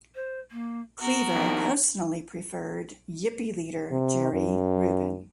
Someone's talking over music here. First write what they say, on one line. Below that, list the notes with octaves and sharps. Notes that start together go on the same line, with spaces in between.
Cleaver personally preferred Yippie leader Jerry Rubin.
C5
A#3
B3 F#4 A#4
F2 D#3
C3
F#2